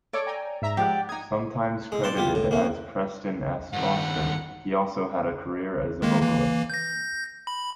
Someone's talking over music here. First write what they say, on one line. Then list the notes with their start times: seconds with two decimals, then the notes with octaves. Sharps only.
Sometimes credited as Preston S. Foster, he also had a career as a vocalist.
0.13 A4 C#5 D5 D6
0.27 G5 G#5 A#5
0.62 G#2 E5 A#5
0.77 F3 G#3 G4 D5 F#5
1.09 D#4 D#6 G#6
1.92 G#3
2.04 D5 A5 C6
2.17 G3 F4 G4
2.35 A2
2.51 A#3 C#4
3.73 G2 D#3 F#5
6.02 D#3 G#3 A#3
6.22 E3 A#3
6.70 G6 A#6
7.47 B5